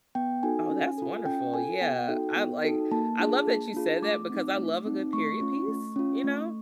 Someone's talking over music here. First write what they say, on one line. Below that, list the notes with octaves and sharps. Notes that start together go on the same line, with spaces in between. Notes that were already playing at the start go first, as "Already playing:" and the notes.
Oh, that's wonderful. Yeah, I like I love that you said that because I love a good period piece, you know,
B3 G5
D#4 F#4 A4 G#5
C#4
F4 A4
C#4 G5
F4 A4 G#5
B3 G5
D#4 F#4 A4
B3
D#4 F#4 A4
A#3 A5
D4 F4 G#4
A#3
D4 F4 G#4
A3 D6
C4 D#4
A3
C4 D#4
A3 C#6
C#4 F4
A3
C#4 F4
A3